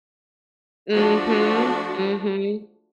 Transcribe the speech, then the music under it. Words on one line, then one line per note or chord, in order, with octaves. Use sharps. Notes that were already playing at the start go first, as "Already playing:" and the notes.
Mhm. Mhm.
F3 A3 D4 F#4